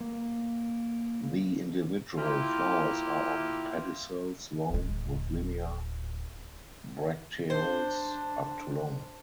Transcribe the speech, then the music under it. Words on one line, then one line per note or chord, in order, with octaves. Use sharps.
The individual flowers are on pedicels long with linear bracteoles up to long.
A#3
A#3 E4 F4 G4
D1 G#3
D4 C5